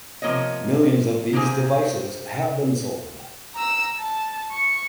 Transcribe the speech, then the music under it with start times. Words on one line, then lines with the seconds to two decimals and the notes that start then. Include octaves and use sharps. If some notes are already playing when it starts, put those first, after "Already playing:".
Millions of these devices have been sold.
0.22 C3 F3 A#3 C#5 D#5
1.33 C3 A#3 C4 G#4 G#5
3.55 A#5 E6
3.98 A5
4.51 C#6